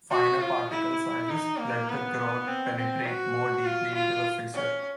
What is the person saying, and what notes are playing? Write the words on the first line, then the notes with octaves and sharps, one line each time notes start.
Finer particle sizes let the grout penetrate more deeply into a fissure.
F#4
F4
E4
D#4
A#3
B3
C4
C4
F#4
F4
F4
C#4